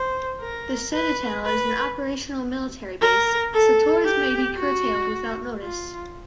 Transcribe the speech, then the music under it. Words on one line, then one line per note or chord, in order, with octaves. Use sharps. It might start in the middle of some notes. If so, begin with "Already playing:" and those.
The Citadel is an Operational Military Base, so Tours "may be curtailed without notice".
Already playing: C5
A#4
B4
B4
A#4
A4
G4
F#4
F4